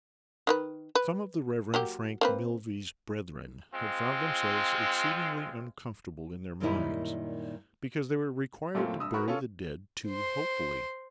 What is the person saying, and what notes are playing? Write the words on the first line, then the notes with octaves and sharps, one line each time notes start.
Some of the Reverend Frank Milvey's brethren had found themselves exceedingly uncomfortable in their minds, because they were required to bury the dead too hopefully.
D#3 F4 B4
B4
F#3 A#3 G4
A#3 C4 B4
G#3 C4 F4
F#2 A#2 D#3 G3 D#4 E4
F#2 A#2 A3 A#3 C4
G1 G2 D#6 E6
F#4 A#4 B4 B5 C#6
C#4 F4 A4
C5 C6